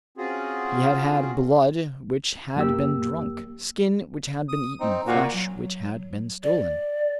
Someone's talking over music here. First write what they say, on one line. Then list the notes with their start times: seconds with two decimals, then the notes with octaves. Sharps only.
He had had blood which had been drunk, skin which had been eaten, flesh which had been stolen.
0.17 C4 C#4 F4 F#4 G#4
2.56 F#2 A#3 G4 E6
4.49 D#6
4.80 C4 D#4
5.07 A#2 F#4
5.33 F#3
6.43 D5